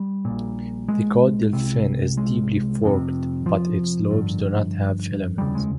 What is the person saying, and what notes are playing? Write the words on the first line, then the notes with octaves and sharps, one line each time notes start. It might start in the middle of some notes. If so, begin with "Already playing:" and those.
The caudal fin is deeply forked but its lobes do not have filaments.
Already playing: G3
A#1 A#2
G#3
C2 C3
G#3
F1 F2 C3
F3
G1 G2
F1 D#2 C#3 G3
G#3